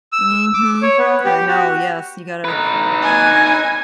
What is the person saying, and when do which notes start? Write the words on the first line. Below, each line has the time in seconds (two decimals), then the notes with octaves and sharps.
Mhm, I know, yes, you gotta
0.12 E6
0.54 D6
0.82 C#5
0.98 B3
1.25 G4
1.49 F#4
2.44 D#4 B4
3.03 G#5